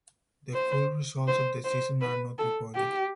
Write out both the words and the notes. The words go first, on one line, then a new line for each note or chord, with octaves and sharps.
The full results of the season are not recorded.
C5
C5
C5
B4
A4
G4